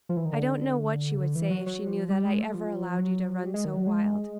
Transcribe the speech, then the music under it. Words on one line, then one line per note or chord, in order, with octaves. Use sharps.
I don't know what she would say if she knew that I ever allowed you to run so wild.
F3
E3
D#3
D3
C#3
D3
E3
F#3
F#3
F3
G3
G#3
A3
F3
F#3
G3
G#3
D#3
F#3
G#3